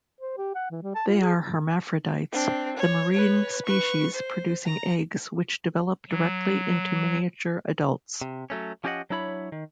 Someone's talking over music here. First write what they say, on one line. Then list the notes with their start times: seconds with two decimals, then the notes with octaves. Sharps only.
They are hermaphrodites, the marine species producing eggs which develop directly into miniature adults.
0.21 C5
0.37 G4
0.55 F#5
0.71 E3
0.83 G3
0.95 A5
1.08 F4
1.21 G#4
2.32 C4 D4
2.76 C#5
3.12 B4 C#5
3.66 B4 C#6
4.14 C5
4.65 A#5
6.10 F#3
8.21 C3
8.50 F#3 A3 C#4
8.84 F3 C#4 G4 C5 D#5 F#5
9.10 F#3 D4 E4 C#5 B5
9.52 D#3